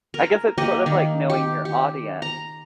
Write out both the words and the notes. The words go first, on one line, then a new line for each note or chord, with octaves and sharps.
I guess it's sort of like knowing your audience
A#4
A#3 G4 D#5
D#3 A#3
G4
G4
A#5